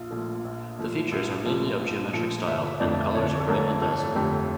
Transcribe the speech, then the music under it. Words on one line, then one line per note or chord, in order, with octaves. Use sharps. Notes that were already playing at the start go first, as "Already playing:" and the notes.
The features are mainly of geometric style, and the colors are bright and dazzling.
Already playing: A#1 F4
A#2 F3 A3
A#1
A#2 F3 A3
A#1
A#2 F3 A3
A#1
A#2 F3 A3
G1 E5
F2 D3 A3 D5
G1 C#5
A4
F2 D3 A3 A#4
G1 A4
F2 D3 A3 G4